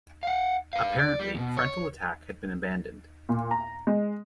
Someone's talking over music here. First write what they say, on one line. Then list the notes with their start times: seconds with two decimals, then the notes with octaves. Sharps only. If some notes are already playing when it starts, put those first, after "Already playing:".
Apparently frontal attack had been abandoned.
0.23 F5 F#5
0.73 B4 F5
0.99 D5
1.19 G3
1.34 E2 B2
1.57 C#5
3.29 A#2
3.51 A#5
3.87 G#3